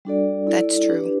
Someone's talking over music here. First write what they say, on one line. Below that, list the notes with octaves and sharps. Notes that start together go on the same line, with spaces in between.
That's true.
G3 D4 F#4 A4 D5
E4 A4 D5
D4 G4 B4